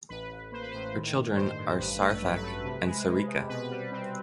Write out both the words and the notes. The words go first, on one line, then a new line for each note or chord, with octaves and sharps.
Her children are Sarthak and Sarika.
A1 B4
A1
A#3 C5
B4
A2 C5
D#3
D#3
G2 C5
G2
A1 B4
A3
B4
F#3
B4
A3
C3
G#3
G#3
C3
B2 B4
G3
C4